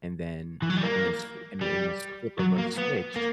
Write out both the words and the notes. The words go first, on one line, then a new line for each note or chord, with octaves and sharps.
and then in a s in a in the flip of a switch,
E3
F#3
G3
A#3
G3
F#3
A#3
B3
A#3